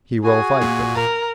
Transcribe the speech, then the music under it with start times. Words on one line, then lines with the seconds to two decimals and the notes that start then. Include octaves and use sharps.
"He will fight, then?"
0.24 F#4 G#4 G#5
0.61 A#2
0.94 A#4